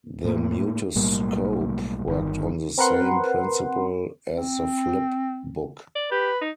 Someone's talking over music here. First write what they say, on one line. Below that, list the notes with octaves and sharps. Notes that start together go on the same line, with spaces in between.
The Mutoscope worked on the same principle as the flip book.
A2 A#3
B1 A2 G3 A#3
G1 D#3
C4 A#4 B4 F#5 C6
C4
D5
G4 B4
D#4